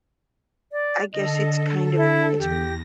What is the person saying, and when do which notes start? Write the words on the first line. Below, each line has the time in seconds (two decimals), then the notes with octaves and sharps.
I guess it's kind of, it's
0.72 D5
1.13 D3 A4 D#5
1.97 E4
2.38 E2 G4 A#6